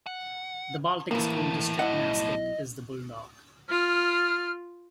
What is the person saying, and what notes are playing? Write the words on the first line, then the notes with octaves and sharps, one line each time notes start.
The Baltic School District mascot is the Bulldog.
F#5
F2 A2 E3 A#3
B1 E4 D#5 F#5
F4 F6